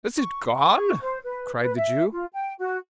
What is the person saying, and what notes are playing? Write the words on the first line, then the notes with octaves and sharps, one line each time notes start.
'Is it gone?' cried the Jew.
C#6
C#6
C5
B4
B4
E5
F4
G5
F#4